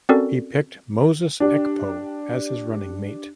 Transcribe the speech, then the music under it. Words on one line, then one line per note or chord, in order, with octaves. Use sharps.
He picked Moses Ekpo as his running mate.
C4 C#4 F#4 A4 A#4 D5
D4 G4